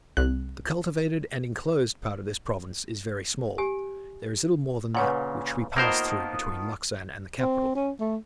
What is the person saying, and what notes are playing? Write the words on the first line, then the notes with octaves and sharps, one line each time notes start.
The cultivated and enclosed part of this province is very small; there is little more than that which we passed through between Luxan and the capital.
C2 F#6
G4 G#5
A#2 C#3 B4 C#5 F#5
D#3 F3 A#3 B3 A#4 C5 G6
C4
C#4
A3